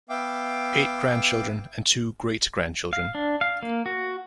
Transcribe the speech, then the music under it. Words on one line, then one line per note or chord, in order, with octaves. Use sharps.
Eight grandchildren, and two great-grandchildren.
B3 E5 F5 G5 D6
F5
D4
F5
A#3
F#4